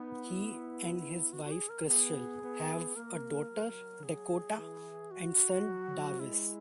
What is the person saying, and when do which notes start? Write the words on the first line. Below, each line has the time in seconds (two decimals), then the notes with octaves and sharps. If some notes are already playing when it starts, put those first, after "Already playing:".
He and his wife Crystal have a daughter, Dakota, and son, Darvis.
Already playing: B3 D#4
0.25 E4
1.33 F#4
1.45 F#4
1.52 G#4
1.69 A#4
1.87 B3 G#4
2.42 B3
2.95 A#3 A#4
3.49 F#3
4.04 G#4
4.57 E3
5.11 F#4
5.66 F#3
6.19 G#3 E4